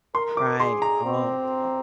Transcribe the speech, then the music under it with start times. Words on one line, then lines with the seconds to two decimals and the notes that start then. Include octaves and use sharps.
Right oh, oh
0.15 A#4 C6
0.37 D6
0.59 G#4 C6
0.82 A#5
1.04 C4